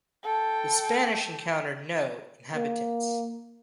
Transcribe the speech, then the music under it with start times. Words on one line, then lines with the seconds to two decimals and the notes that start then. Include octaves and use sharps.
The Spanish encountered no inhabitants.
0.24 A4 G5
2.55 A#3